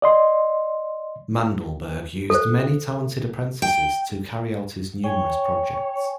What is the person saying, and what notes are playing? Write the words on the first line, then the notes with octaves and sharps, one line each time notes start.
Mandelberg used many talented apprentices to carry out his numerous projects.
D5 D#5 C6
A4 C5
G5
C#5 G5 G#5